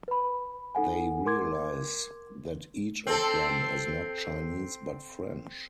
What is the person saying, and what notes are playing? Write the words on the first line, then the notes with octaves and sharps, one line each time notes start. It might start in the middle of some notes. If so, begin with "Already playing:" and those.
They realize that each of them is not Chinese, but French.
B4 B5
D#4 A4 F#5 G#5
A#4 C6 D6 G#6
C4 A4